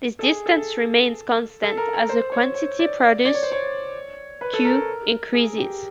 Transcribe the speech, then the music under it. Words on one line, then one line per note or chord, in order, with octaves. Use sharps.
This distance remains constant as the quantity produced, Q, increases.
A4
G#4
A4
A4
A#4
A#4
C5
C#5
C#5
D5
D5
D5
C#5
C5
C#5
B4
A4
A#4
G#4
G4